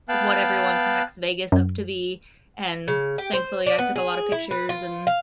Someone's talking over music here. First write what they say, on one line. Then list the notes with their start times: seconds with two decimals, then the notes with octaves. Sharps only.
what everyone cracks Vegas up to be." And, thankfully I took a lot of pictures and,
0.09 B3 F5 G5 A5 F#6
1.52 F#2
2.88 C#3
3.18 G4
3.33 C5
3.66 D4
3.78 B3
3.96 G#4
4.32 E4
4.51 B4
4.69 F4
5.07 F5